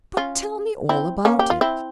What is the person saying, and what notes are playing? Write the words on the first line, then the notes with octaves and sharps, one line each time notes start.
But tell me all about it!
C#4 F4
C4 E4
A#3 C#4
G4
F4
C4 E4